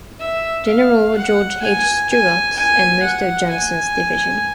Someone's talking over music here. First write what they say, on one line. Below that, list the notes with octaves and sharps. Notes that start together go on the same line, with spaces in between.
General George H. Steuart, and most of Johnson's division.
E5
F5
F#5
G#5
G#5
G#5
F#5
G#5